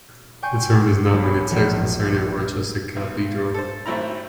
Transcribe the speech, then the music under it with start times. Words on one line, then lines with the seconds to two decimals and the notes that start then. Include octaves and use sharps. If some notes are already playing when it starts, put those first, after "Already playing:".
The term does not mean a text concerning Rochester Cathedral.
0.43 G5 G#5 C6 C#6 G6
1.12 B1
1.51 E1 A#1
2.96 B1
3.54 A4 C5
3.86 G#1 F#3 A3 C4 E4 A#5